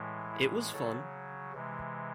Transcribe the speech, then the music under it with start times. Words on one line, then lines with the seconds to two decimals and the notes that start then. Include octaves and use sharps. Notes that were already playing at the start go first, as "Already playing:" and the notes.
It was fun.
Already playing: A2 E3 G#3
0.31 E4
0.72 C#3 F#3 A4
1.53 C3 E3 G#3